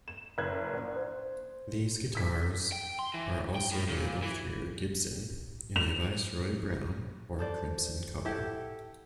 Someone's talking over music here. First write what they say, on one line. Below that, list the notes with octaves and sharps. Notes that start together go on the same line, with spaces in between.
These guitars are also available through Gibson, in a viceroy Brown or Crimson colour.
E7
F#1 B4 F#6 G#6
A#1
C5
E6 B6
G5
C6
E3
G5
A2
A#2
E3
F7
A4 C5 D5
E4 G4 A4 F#5